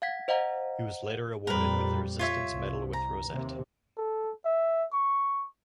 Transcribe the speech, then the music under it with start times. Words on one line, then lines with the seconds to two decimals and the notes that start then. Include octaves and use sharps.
He was later awarded the Resistance Medal with rosette.
0.02 F5 F#5 G#6 B6
0.28 C5 D#5 F5 F#5 A#5
1.47 F2 A#2 G3 A#4 B4
2.19 F4 C#5 E5
2.52 C2
2.93 A#5
3.30 D#2 C3
3.97 A4
4.45 E5
4.93 C#6